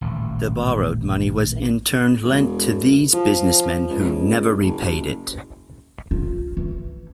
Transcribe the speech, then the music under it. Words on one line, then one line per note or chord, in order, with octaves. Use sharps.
The borrowed money was in turn lent to these businessmen, who never repaid it.
D#1 A1 D#2
E1
F3
C#2
F#1
F4
E3